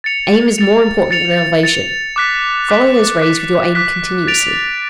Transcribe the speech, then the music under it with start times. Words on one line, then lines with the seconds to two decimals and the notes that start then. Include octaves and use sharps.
Aim is more important than elevation. Follow those rays with your aim continuously.
0.04 A6 C#7 F7
0.58 A6 C#7 F7
1.11 A6 C#7 F7
1.63 A6 C#7 F7
2.16 D6 F#6 B6
2.69 D6 F#6 B6
3.22 D6 F#6 B6
3.75 D6 F#6 B6
4.27 A6 D7 F7